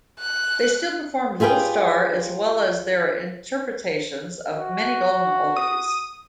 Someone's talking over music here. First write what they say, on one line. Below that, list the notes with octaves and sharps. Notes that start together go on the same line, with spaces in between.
They still perform "Little Star", as well as their interpretations of many golden oldies.
F#6
F4 G4 G#4 B4 G5
F#4
D#6